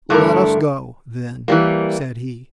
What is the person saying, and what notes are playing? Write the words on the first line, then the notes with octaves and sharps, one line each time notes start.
"Let us go, then!" said he.
G2 D3 A3 E4 A#4
E3 G3 A#3